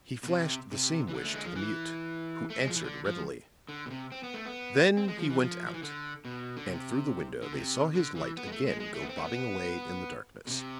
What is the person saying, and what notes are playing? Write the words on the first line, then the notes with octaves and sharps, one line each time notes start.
He flashed the same wish to the mute, who answered readily; then he went out and through the window they saw his light again go bobbing away in the darkness.
B2
C3
C3
E3
D3
A3
G#3
F3
E3
A3
G#3
F3
E3
D3
F3
D3
B2
C3
C4
B3
A3
B3
C4
G#3
F3
E3
F3
F3
E3
D3
B2
D3
C3
D3
C3
D3
E3
B3
G#3
A3
G#3
G#3
A3
B3
C4
A3
B3
B2
C3